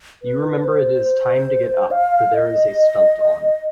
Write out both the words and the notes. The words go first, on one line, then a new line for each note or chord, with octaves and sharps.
You remember it is time to get up, for there is a stunt on.
B4
C5
F5
D#5